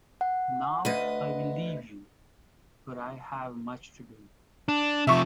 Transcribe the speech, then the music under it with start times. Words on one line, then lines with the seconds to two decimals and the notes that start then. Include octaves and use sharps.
Now I will leave you, for I have much to do.
0.21 F#5
0.85 D2 B4 D#5
4.68 D4
5.07 C3 F3 E5 C#6